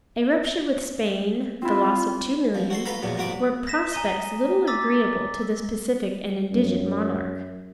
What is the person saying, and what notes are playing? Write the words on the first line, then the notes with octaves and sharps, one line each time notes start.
A rupture with Spain, the loss of two millions, were prospects little agreeable to this pacific and indigent monarch.
C4 E4 F4
F3
F#4 A4 C6
F4 A4 B4 F5 A#5 B5
A#1 E2 A#2 F#3
C2 G#2 F4 F#4 B5 D6
A#6 B6 E7
G#5 A#5 D#6 D#7 G7
D6 E6 A6 B6
F#2